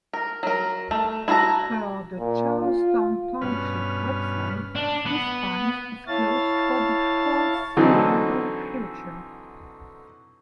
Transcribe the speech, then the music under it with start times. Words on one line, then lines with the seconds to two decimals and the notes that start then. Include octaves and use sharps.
Per the Charlestown Township website, Swiss Pines is closed for the foreseeable future.
0.13 A#4
0.43 F#3 A#4
0.91 A3
1.28 E4 F#4 F5 A5 A#5
2.19 A#2
2.60 F4
3.41 G2 B2 C#4 B4 F6
4.75 D4
5.05 B3
6.08 E4 C#5 F5 A5 A6
7.77 D3 E3 F#3 C4 D#4 A4